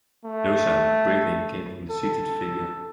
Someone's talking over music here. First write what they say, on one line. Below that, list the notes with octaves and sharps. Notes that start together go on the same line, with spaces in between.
No sound of breathing came from the seated figure!
A3
A4